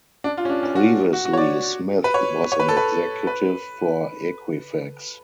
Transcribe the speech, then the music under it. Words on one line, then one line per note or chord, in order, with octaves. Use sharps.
Previously, Smith was an executive for Equifax.
D4
F4
C#4
D4
C#4
F#4
F#4
F#4
C#5
D5
B4
C#5
C#5
B4
A4
B4
B4